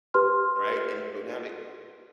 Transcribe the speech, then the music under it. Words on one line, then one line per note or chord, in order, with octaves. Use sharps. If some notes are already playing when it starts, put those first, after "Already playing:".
right, and so now they
G4 B4 C6 F6